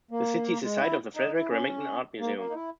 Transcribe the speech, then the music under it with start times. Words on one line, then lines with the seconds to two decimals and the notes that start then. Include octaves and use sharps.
The city is the site of the Frederic Remington Art Museum.
0.11 A#3
0.63 G#3
0.81 E4
1.16 D#4
1.33 E4
1.50 C#4
2.20 A#3
2.37 A#3
2.50 D#4
2.54 E4